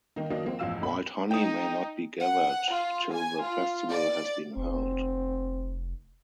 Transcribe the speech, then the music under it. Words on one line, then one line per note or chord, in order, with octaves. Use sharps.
Wild honey may not be gathered till the festival has been held.
D#3 A#3 D#4
D#3 F#3 A#3 D4 D#5
F3 A#3 C4
A1 E2 F3 F5 E6 E7
B1 B5
D#4 G5 D#6
F#5
F4
G#5
F4
D5
F1 C4